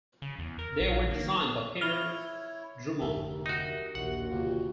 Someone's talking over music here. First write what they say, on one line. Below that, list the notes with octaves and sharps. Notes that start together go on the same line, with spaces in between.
They were designed by Peter Drummond.
C#3
E2
A#4
A#1
A#3
E4 C#5 F6 F7 G7
F1 D2 G4 A#4 E5
D#4 F#4
A#1 D#2 F#4 F#5
D1 C3 A#3 F4 G4